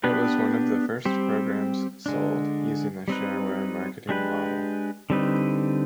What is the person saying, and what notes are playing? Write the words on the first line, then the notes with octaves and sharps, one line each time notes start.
It was one of the first programs sold using the shareware marketing model.
B3 D4 G4 B4
G3 C4 G4 C5
D3 G#3 D4
G3 C4 D#4 B4
G#3 D4 G4 B4
D3 G3 C4 D#4 B4